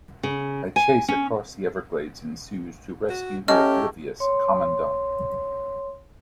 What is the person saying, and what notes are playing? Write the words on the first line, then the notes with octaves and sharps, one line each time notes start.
A chase across the Everglades ensues to rescue the oblivious Commandant.
C#3
G#5
C#4
F#4
A3 C#4 G4 A#4 D#5 G#5 F6
C#5 C6